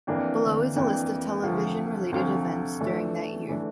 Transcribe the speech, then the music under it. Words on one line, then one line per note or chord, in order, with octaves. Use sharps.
Below is a list of television-related events during that year.
F2 E3 A#3 D4
F2 E3 A#3 D4
D2 C3 F3 C4 F4
D2 C3 F3 C4 F4
E3 A3 D4
E3 A3 D4